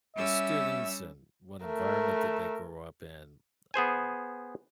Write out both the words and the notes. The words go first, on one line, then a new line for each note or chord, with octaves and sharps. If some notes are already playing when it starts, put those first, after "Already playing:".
the students, and what environment did they grow up in. Um,
G3 C#4 E5 E6
A3 A#4
B3 G#4 C5 G#5